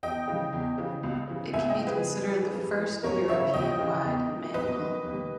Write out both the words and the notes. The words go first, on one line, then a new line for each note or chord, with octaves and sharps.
It can be considered the first European-wide manual.
E2 D#5 G5
C#3 E3
E2
C#3 E3
C#2
C#3 E3
C#2 E5 G#5
D#5 G5
C#3 E3
G#4 B4
G2
E3
G2
E3
D#2 A#4 C#5
C#3 E3 C#5 E5
D#2 D#5 G5
C#3 E3
E2
D#3
E2 B4 D#5
D#3
D#2